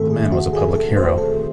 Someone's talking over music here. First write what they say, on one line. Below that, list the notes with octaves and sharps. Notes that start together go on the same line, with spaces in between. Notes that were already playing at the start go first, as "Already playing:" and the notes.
The man was a public hero.
Already playing: G#2 D#3 A3 C4 A4 E5
G#4
F#4
G#4
A4
C5
A4